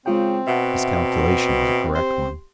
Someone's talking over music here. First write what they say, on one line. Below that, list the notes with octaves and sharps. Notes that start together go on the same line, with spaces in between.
His calculation was a correct one.
C#3 G#3 C4 F4 G5
B2 E5 F#5 A5
G4 C5 C6